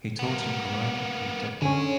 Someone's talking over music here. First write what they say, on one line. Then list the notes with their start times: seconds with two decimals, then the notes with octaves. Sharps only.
He taught in Cologne and Detmold.
0.19 A#3 B3
1.62 D3 C#4 D#4 G#4